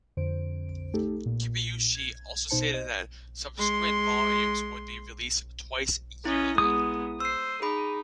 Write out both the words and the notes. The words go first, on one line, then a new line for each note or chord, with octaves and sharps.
Kibuishi also stated that subsequent volumes would be released twice-yearly.
F2 D3 C5 D7
A3 D#4 G4 A4
A#2
G#6
B2 D#4 C5 A5 C#7
C5 D#5
G#3 C6
C#4 E4 D#5
G#3 B3 D#6
C5 E6 C7
D#4 G#4 B5